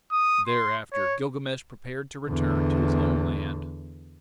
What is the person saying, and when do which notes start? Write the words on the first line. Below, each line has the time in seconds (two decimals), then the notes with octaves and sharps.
Thereafter Gilgamesh prepared to return to his own land.
0.12 D#6
0.47 C6
0.93 C#5
2.28 E2 D3